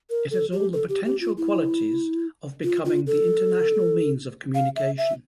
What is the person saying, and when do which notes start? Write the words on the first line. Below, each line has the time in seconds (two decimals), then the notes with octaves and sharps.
It has all the potential qualities of becoming the international means of communication.
0.10 A#4
0.31 A4
0.53 G4
0.73 A4
0.89 G4
1.05 G4
1.21 F4
1.38 E4
2.64 F4
2.85 F4
3.07 A4
4.55 F5
4.76 E5
4.98 E5